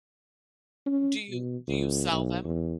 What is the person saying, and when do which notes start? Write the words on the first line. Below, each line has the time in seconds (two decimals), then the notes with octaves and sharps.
W do you do you sell them?
0.86 C#4
1.30 B2
1.68 C#2
2.11 B1
2.44 E2